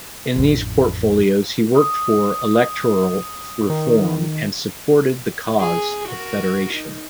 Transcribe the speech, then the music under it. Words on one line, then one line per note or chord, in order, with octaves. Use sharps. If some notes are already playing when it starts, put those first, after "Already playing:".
In these portfolios he worked for electoral reform and supported the cause of Federation.
A1 F2
D#6
D#3
G#4
F#4 A#4
D#4